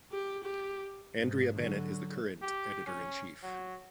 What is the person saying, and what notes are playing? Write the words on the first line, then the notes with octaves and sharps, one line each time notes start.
Andrea Bennett is the current editor-in-chief.
G4
G4
G#2
D3 F#3
G4
C#4
F#3